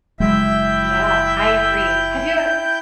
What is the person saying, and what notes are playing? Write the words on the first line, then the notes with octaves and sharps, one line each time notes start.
Yeah, I agree. Have you ev
F#1 F#3 G#3 E4 E5 G5 G6